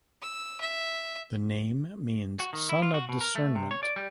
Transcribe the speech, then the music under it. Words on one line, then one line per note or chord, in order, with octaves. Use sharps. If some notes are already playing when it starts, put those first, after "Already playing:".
The name means "Sun of Discernment".
E6
E5
F#4
D#3
E4
F4
F#4
B2
A#4
A3
C3
C#5
D5
G3